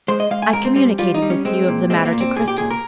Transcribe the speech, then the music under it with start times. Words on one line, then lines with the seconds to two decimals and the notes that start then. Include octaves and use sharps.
I communicated this view of the matter to Cristel.
0.08 G#3 C5
0.20 D#5
0.31 G#3 F5
0.42 G#5
0.53 G#2 A#4
0.65 C4
0.76 G3 C4
0.99 G3 F4
1.14 D#4
1.22 G3
1.30 C#4
1.45 G#3 C4
1.68 A#2
1.90 G#3 C4
2.05 A#3
2.13 A#2
2.20 C4
2.36 A#2 G#4
2.48 G4
2.58 A#2 G#4
2.71 A#4